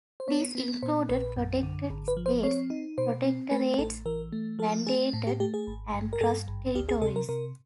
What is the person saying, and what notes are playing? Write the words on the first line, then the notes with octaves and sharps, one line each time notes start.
These included protected states, protectorates, mandated and trust territories.
C5
B3 C#5
B3
A#2 C5
A#1 B4
F#2
D3
G#1
B4
F3
C5
C4 C#5
D#4
B2 C5
C4
A3 B4
A1 A4
E3 A#4
A3
F3 A4
A3 G#4
A2
G4
A3 G4
G#4
G#1
G2
A#4
G2 A4
G#1
D2 G4
G#4
C3 A4
A#4
C3 A#4